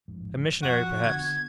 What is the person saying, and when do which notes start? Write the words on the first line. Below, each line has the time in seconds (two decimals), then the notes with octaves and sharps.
"A missionary, perhaps."
0.08 A1 F2 G#2
0.63 F2 B2 F3 F#4
1.04 D3 B3 G#6